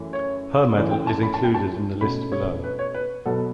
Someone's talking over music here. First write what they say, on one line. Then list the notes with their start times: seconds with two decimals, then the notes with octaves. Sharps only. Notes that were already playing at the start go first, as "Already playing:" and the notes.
Her medal is included in the list below.
Already playing: F#2 E3 A3 C#4
0.13 C#5
0.76 F#2 E3 A3 C#4 D5
0.91 G5
1.07 A5
1.23 B5
1.34 A5
1.44 G5
1.54 A5
2.01 B2 A3 C#4 B5
2.32 C#5
2.64 B4
2.79 C#5
2.94 B4
3.26 B2 F#3 B3 A4